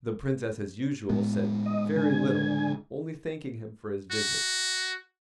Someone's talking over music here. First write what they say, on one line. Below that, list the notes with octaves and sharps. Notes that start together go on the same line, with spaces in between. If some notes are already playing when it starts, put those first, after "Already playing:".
The Princess, as usual, said very little, only thanking him for his visit.
A2 G#3 B3
D#5
D3 G#5
F#4